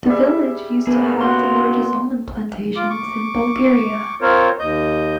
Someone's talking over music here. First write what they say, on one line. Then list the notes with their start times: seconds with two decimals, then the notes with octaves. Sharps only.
The village used to have the largest almond plantations in Bulgaria.
0.06 G3 G#4 E5
0.87 A#3 B3 G#4 B4
1.21 C#3 F#4 C#5 F#5 C6
2.76 F4 D6
2.90 C#6 D6
4.21 C4 F4 A#4 C5 C#5
4.59 D#2 D#5 G6